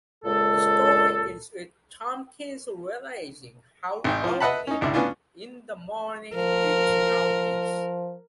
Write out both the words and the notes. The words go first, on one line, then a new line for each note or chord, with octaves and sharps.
The story ends with Tompkins realizing how early in the morning it now is.
C#2 A#2 G#3 A4
G#1 D#4 G5
F3 F4
B4 D#5 E5 F#5 A5 B5
C#4 D#4
G#1 C#2 D4 E4
B3 C#4 D4 F4
F3 A#4